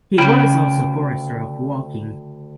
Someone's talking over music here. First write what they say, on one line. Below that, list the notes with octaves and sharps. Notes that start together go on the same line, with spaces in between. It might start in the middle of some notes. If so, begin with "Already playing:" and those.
He was also Forester of Woking.
D2 C#3 C#4 G5 B5